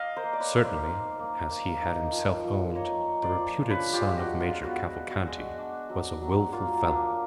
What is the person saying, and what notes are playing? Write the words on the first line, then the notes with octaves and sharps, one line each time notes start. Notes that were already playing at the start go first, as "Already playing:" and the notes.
Certainly, as he had himself owned, the reputed son of Major Cavalcanti was a wilful fellow.
Already playing: D#5 F5
A#4 C5
A#3
D5
B4 C#5
D#4
C5 D5
D#4
A#3
A#3
D#4
F3
F3
A#3 C#5 D#5
D#4
C5 D5
F3
D4 B4 C#5
F4 G4
G#3
F#4
G#3
F4
B3 F#4
D4
F#4
G#3
D4
F#3
F#3
A#3 F4
D4